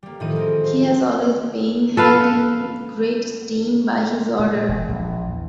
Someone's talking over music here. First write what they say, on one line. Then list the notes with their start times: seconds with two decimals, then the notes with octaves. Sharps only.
He has always been held in great esteem by his order.
0.03 G3 A#3
0.20 A2 D#3 F3 D#4 D#7
0.36 G#3 C4
0.64 C5
1.97 A4 B4 F5
4.39 A#2
4.69 E1
4.89 A#1
5.27 E2